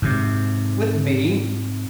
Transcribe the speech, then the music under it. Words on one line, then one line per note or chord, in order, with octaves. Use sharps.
"With me!"
G#2 C3